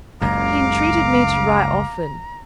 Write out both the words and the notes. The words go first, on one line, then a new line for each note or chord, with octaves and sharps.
He entreated me to write often.
F#1 C#2 F#2 F5 A#5 D6